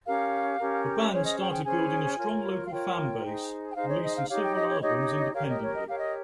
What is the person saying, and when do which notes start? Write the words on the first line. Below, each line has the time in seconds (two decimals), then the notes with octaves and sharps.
The band started building a strong local fanbase, releasing several albums independently.
0.06 C#4 G4 A#4 F5
0.59 C#4 G4 A#4
1.12 C#4 G#4 C5 C#5
1.25 D#5
1.39 G5
1.52 G5
1.64 C#4 G#4 C5 G#5
2.18 F4 A#4 C#5
2.66 F5
2.70 F4 A#4 C#5 G5
3.23 D#4 G#4 C5
3.71 G5
3.76 D#4 G#4 C5 F5
3.89 C#5
4.03 D#5
4.15 F5
4.29 D#4 G4 C#5 F5
4.42 G5
4.55 D#5
4.69 C#5
4.82 D#4 G4 C#5 D#5
4.99 D#5
5.16 D#5
5.34 G4 A#4 C#5 F5
5.47 D#5
5.61 C#5
5.75 D#5
5.87 G4 A#4 C#5 F5
5.98 D#5